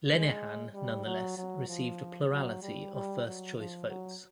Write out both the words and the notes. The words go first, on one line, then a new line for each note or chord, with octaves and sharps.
Lenihan nonetheless received a plurality of first-choice votes.
G#3
G3
F#3
F#3
F3
F#3
G3
G3
F#3
F3
F#3